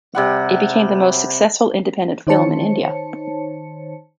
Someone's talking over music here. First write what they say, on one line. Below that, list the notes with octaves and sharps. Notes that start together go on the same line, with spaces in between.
It became the most successful independent film in India.
C3 G3 F#5
D#3 D#4 C5 C#5 A5 C#7